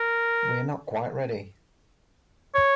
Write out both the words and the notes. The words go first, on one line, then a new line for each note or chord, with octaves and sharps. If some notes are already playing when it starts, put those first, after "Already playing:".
We are not quite ready!
Already playing: A#4
C#5